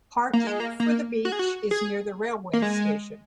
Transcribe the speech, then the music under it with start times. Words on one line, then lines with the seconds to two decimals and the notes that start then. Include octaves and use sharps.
Parking for the beach is near the railway station.
0.33 A#3
0.47 G#3
0.60 A#3
0.80 A#3
1.25 F#4
1.32 G#4
1.39 F#4
1.71 G#4
2.53 A#3
2.62 G#3